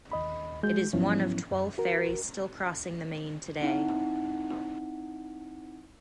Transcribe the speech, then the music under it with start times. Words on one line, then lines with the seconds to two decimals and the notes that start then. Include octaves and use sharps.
It is one of twelve ferries still crossing the Main today.
0.12 D#2 D#5 B5
0.63 G#3 F#4 G6
0.93 G#2 F3 F#3 B3 C#4 E4
1.51 F#2
1.78 F#4 A#4
3.61 C4 D#4 E4 F#5